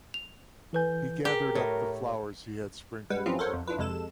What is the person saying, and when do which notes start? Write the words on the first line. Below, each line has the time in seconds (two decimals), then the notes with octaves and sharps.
He gathered up the flowers he had sprinkled over her.
0.14 F7
0.73 E3 A4 B4 G#5 G6
1.25 G4 G#4 A#4 G5
1.55 A2 C#5
3.10 G3 G#3 B4 F#5
3.26 F3 F#3 C4 C#4 E4 F4
3.39 A4 A#4 C5 C#5 F#5
3.53 F2
3.68 D4 E4 F4 B4
3.79 F2 C3 G#3 A4 E7